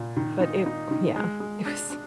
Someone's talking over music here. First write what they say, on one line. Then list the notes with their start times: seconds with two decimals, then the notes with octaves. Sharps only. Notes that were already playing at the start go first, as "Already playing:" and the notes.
But it yeah. It was
Already playing: A#2
0.17 D#3
0.40 D#4
0.66 D#4
0.91 D#3
1.16 G#3
1.40 G#3
1.66 D4
1.90 D4